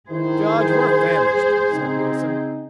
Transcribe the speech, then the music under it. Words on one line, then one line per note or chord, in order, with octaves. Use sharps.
"Judge, we're famished," said Wilson.
D#3 E4 G#4 C5
C#3 C4 D#4